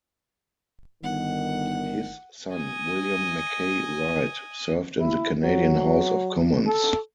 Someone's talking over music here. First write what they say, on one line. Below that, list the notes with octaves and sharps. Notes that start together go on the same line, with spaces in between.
His son William McKay Wright served in the Canadian House of Commons.
G1 D#3 F#5
D#5 G#5
E4
F#3
A4